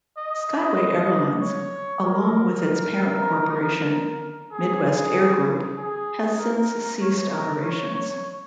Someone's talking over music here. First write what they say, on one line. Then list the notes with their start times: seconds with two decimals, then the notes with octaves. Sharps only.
Skyway Airlines, along with its parent corporation, Midwest Air Group, has since ceased operations.
0.17 D#5
0.48 D#5
1.41 C#5
2.04 A#4
4.52 G#4
5.77 G#4
6.39 A#4
7.01 C#5
7.32 A#4
7.63 C#5
7.95 C#5